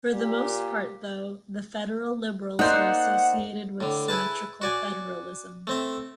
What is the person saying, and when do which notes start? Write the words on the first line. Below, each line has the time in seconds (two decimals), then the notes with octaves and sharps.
For the most part though, the federal Liberals are associated with symmetrical federalism.
0.13 A#2 G4
2.59 A#3 D#4 C5 D5 F#5 C6 F#6 G6
3.80 A2 D3
4.08 E4 G#4 B4 A5
4.62 F#4 D5 G#5
5.67 A3 C4 E5